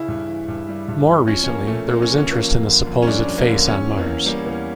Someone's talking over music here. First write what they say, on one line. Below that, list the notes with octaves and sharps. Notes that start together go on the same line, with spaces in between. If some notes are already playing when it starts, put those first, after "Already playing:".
More recently, there was interest in the supposed Face on Mars.
Already playing: C#3 E4
G2
E3
G2
G3
G2
E3
F3 C#4
C#4
F3 A#3
A#2 A3
A#2 A#3
F3 C#4
C#4
F3 A#3
F2
D3
F2
C#4
G3 D4
F2
A#3
D3
E2 C#4
E3
A#3
E2
G3 A#3
E2 A#3